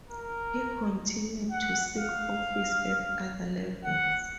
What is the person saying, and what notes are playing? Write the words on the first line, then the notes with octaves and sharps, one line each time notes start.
He continued to seek office at other levels.
A#4
F#5
F5
F#5